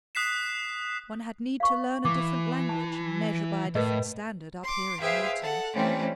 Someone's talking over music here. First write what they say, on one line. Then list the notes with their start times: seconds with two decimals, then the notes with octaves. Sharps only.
One had need to learn a different language, and measure by a different standard, up here in Milton.'
0.15 D#6 F#6 B6 C7 E7
1.60 F5 C#6
2.05 E3 D6
2.69 A5
3.75 A2 A#4 B4 D#5
4.62 C6 D6
5.00 G#4 B4 C5 E5 F5 G5
5.39 A4 F#5
5.73 E3 G3 A3 C4 C#4